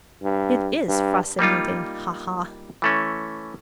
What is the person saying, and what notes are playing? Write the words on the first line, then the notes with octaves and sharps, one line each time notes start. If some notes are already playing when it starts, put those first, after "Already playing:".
It is fascinating, ha-ha!
G2
G2
G3 A#3 D#4 F4
E3 A3 C#4